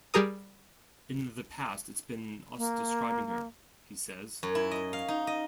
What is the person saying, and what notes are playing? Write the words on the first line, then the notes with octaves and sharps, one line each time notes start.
"In the past, it's been us describing her," he says.
G3 G4 G#4 A#4 D#6
A#3
F#2
E4
D#5
F5
D#4
D#5